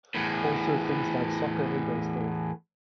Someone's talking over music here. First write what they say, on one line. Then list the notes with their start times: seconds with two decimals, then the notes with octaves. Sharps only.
Also things like Soccer and Baseball.
0.14 E2 A2